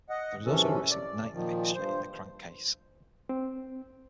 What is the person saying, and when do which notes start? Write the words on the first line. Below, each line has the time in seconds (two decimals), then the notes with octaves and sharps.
There is also a risk of igniting the mixture in the crankcase.
0.10 D#5 F#5
0.45 F#2 C3 E3 C#4 A4
0.91 D5
1.33 A#2 D#3 F3
1.75 G2 C5
3.29 C4